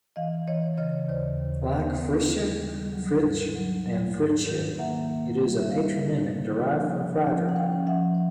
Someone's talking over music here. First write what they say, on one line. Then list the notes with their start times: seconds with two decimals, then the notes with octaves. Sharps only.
Like Fritsche, Fritzsch and Fritzsche, it is a patronymic derived from Friedrich.
0.16 E3 D#5 F5
0.47 E3 C#5 D#5
0.78 C#3 C#5 D#5
1.08 D#2 C5 D5
1.39 D#2
1.70 B3
2.01 B3
2.32 D#3
2.62 G3
2.93 F#3
3.24 G#2
3.56 F#3
3.86 F#3
4.17 G#2
4.48 D#3
4.78 A#3 E5 F#5
5.09 A#3
5.40 G3
5.59 E5
5.71 G3 D#5 F5
6.03 D#3
6.33 A#3
6.64 F3
6.94 C#4
7.25 F3
7.49 F#5
7.56 C#4 F5 G5
7.86 F3 E5 F#5